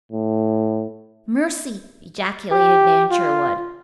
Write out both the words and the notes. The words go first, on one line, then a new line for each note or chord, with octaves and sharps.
"Mercy!" ejaculated Nan Sherwood.
A2
G4
F4